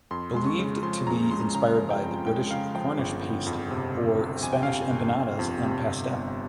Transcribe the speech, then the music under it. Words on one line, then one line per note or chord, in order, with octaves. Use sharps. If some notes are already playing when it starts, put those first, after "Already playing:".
Believed to be inspired by the British Cornish pasty or Spanish empanadas and pastel.
F2 C6
G#3 C6
C#6
C#3
F3 C6
F2 A#5
G#3 C6
C#3 A#5
F3
G5
F2
G#3 G5
C#3 F5
F3 G5
G1
G1
F2
C3
G1
G1
F2 G#5
G5
C3 F5
G5
G1
G1
F2
C3
G1
G1